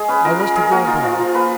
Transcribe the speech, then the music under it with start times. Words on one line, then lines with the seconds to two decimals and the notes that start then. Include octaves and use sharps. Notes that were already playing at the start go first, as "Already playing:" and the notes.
I was to go abroad.
Already playing: G#3 G#4
0.08 C#4 B4
0.25 F4 A#4
0.40 G#3 A#4
0.56 G#3 G#4
0.71 A#3 F#4
0.87 D#4 F4
1.03 F3 F4
1.19 F3
1.34 A#3 B4